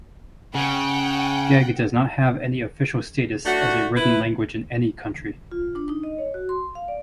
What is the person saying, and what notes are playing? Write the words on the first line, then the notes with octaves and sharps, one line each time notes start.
Gheg does not have any official status as a written language in any country.
C#3 F#5 G5
A3 D4 F#4
E4 B4
F4
D4
D#4
D#5
C#5
F#4
C6
F5
D5